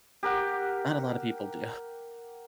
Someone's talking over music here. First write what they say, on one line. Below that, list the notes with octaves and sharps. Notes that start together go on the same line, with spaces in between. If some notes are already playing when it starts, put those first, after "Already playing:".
not a lot of people do.
G4 A#4 F#5